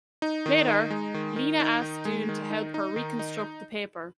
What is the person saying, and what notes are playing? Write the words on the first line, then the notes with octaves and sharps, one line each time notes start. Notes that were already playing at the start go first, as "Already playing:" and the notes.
Later, Lina asks Doon to help her reconstruct the paper.
D#4
D#3
D#4
G#3
D#3
D#3
D#4
D#3
G#3
D#3
D#4
D#4
D#3
D#4